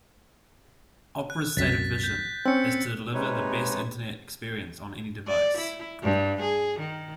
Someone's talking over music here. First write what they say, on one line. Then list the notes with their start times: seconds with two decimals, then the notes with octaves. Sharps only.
Opera's stated vision is to deliver the best Internet experience on any device.
1.30 F#6
1.57 C2 F#2 A6 B6
2.03 G6
2.46 C4 C#4 E6 C#7
3.14 C3 G#3 D#4 B4 C#5
5.27 D5
5.58 E4
6.03 G2
6.41 G#4
6.79 D#3